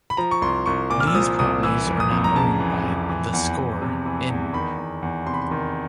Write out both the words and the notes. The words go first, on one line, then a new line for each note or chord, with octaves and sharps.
These properties are now owned by theScore In.
B5
F3 A#5
C#6
C2 C6
C2 C#6
A#2 D6
F6
E6
F3 D#6
C2 D#6
E3 E6
F2
D#6
F2
A#5
C#3 A5
E3
F2
E3
E2
E2
C3
E3
E2
D#3 B5
E2
E2
C3 C6
B5
C6
D#3